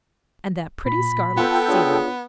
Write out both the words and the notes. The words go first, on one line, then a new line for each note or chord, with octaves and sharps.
And that pretty scarlet ceiling.
A#2 B5
B3 F4 A4 G5
D4 F4 G#4 C#5